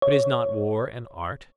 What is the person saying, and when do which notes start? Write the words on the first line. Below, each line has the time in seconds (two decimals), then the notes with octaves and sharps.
But is not war an art?
0.02 C#5